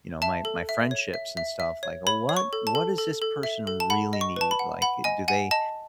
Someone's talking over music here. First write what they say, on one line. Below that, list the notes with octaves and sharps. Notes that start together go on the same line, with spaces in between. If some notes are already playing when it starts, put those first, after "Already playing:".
you know, my my friendships and stuff, like, "What what does this person really need?" Like, do they
E5 A5
A4
E5
C#5
E5
E5
E5
C#5
C#5 B5
C#5
C#6
A4
A5
A4
A4
A4
E5
A4
A5
F#5 B5
D#5
C#6
B4 A5
B5
F#5
F#5 B5
D#5 G#5
F#5 G#5
D#5 A5